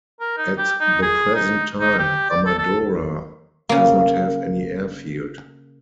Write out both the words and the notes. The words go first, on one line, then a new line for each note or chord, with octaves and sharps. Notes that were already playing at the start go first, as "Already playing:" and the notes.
At the present time Amadora does not have any airfield.
A#4
D#4
G4
D#4
G#4
D#4
D#4
G4
D5
A4
A4
C#3 A#3